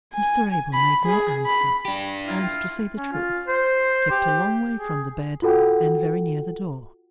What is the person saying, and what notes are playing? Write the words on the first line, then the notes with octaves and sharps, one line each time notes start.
Mr Abel made no answer, and, to say the truth, kept a long way from the bed and very near the door.
G#5
B5
G#4
B5
D4 G4
E4 F4
C#4
F4
C5
G4
G#4
F4 F#4 A4 F#5 G5